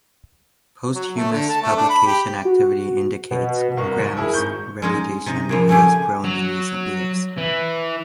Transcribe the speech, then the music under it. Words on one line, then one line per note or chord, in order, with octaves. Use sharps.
Posthumous publication activity indicates, Graham's reputation has grown in recent years.
F#3
A3
D3
A5
A3
D4
B5
G4
F#4
B2
C2 A#4 F5 F#5 C#6
F#1
E4 G#4 A#4
G#1 G#2 C#6 G6
G#3 C#4 D#4
C3 D#4
A#2 C#3 F3
A3 C#4 G4 G#5
F#3
E3